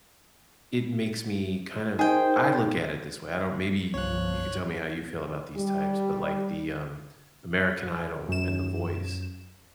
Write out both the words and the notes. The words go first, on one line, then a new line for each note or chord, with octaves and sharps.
it makes me kind of I look at it this way; I don't maybe you could tell me how you feel about these types, but, like, the, um, American Idol and The Voice.
D#4 G#4 A#4 C5 G5
G1 C2 F3 C#5 F#6
G3
F#2 E7